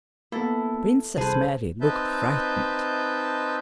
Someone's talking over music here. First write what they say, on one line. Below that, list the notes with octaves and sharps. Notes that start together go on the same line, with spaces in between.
Princess Mary looked frightened.
A#3 B3 E4 A4
C2 G#4 A4 B4 C5
C4 D#4 B4 E5 A5 G6